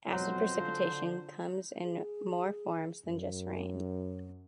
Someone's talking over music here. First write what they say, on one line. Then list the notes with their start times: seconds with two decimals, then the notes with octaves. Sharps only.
Acid precipitation comes in more forms than just rain.
0.12 F2 B2 F#3 C5
0.55 D3 F4
1.84 G#4
3.05 F#2